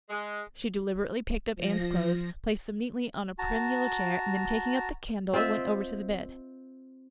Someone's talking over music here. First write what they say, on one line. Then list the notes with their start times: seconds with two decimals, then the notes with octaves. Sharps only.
She deliberately picked up Anne's clothes, placed them neatly on a prim yellow chair, and then, taking up the candle, went over to the bed.
0.10 G#3
1.55 F3 A#6
3.39 F#4 A5 A#5
5.33 C4 F4 D#5 E5